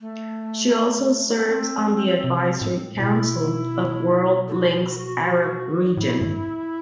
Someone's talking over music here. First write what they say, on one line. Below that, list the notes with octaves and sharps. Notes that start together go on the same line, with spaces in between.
She also serves on the Advisory Council of World Links Arab Region.
A3
C4
C3
A2
B2 E4
A4
F#4
A2 E4
G2